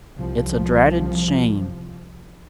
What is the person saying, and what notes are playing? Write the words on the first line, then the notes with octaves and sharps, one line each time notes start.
It's a dratted shame!
C2 F3